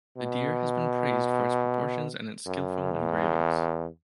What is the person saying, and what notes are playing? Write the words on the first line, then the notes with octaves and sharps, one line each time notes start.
The deer has been praised for its proportions and its skillful engravings.
B2
F#2
E2